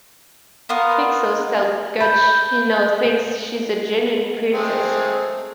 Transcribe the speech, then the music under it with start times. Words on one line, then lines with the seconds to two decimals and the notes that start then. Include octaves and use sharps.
Frixos tells Gutch he now thinks she's a genuine princess.
0.69 B3 F4 A#4
2.01 B5 G6
4.54 G#3 A3 C4